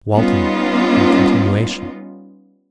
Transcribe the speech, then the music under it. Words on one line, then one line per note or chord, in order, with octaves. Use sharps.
Walton, in continuation.
G3 B3 C#4 D#4 F4